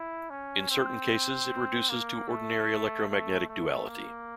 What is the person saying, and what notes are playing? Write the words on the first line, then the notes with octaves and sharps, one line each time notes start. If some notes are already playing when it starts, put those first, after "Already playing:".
In certain cases it reduces to ordinary electromagnetic duality.
Already playing: E4
C#4
C4
A#3
A3
A3
A3
A#3